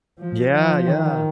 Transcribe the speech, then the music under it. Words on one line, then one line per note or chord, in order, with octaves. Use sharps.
Yeah, yeah.
F3
F3
D#3